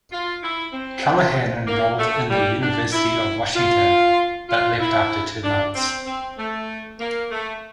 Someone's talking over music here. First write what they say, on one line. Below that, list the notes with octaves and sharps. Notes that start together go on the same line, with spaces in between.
Callahan enrolled in the University of Washington, but left after two months.
F4
E4
C4
A#3
A3
G3
D4
E4
F4
F4
E4
D4
C4
C4
A3
A#3
A3